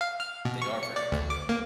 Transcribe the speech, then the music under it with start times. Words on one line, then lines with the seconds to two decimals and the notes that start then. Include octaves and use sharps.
they are very close.
0.01 F5
0.20 F6
0.45 B2
0.62 C#6
0.83 C#7
0.96 D5
1.12 D2
1.30 D6
1.49 A#3